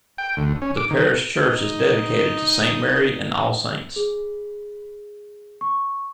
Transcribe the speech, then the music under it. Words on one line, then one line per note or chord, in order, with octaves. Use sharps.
The parish church is dedicated to St Mary and All Saints.
G5
D2
C#4
D6
D#3
D#4 D#5
G#4
C#6